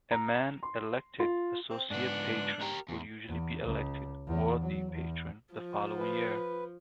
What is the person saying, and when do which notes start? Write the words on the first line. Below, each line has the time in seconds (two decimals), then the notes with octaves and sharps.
A man elected Associate Patron will usually be elected Worthy Patron the following year.
0.11 A#5
0.63 C6
1.20 F4
1.70 C4
1.91 G#2 B3 D4
2.61 G4 A#4
2.89 E2
3.28 E2
3.64 C#2
4.27 E2
4.61 F#3
4.92 E2
5.54 F3
5.98 B4